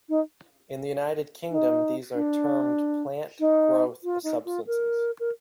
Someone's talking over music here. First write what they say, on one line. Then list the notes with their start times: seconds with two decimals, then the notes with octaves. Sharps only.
In the United Kingdom, these are termed 'plant growth substances'.
0.09 D#4
1.51 D#4
2.14 D4
3.40 D#4
4.04 F4
4.24 D#4
4.45 F4
4.67 A#4
5.20 A#4